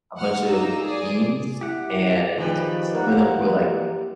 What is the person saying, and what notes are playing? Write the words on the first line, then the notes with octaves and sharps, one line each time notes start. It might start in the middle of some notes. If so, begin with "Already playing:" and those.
a bunch of beans and some of them were, like,
F#5 F6
A#3 D#4 A#5 E6
G#4 D5
E4 G4 F#5
D#3 F3 G3 G4 G#4 B4
A#3 A#4 F#5
E3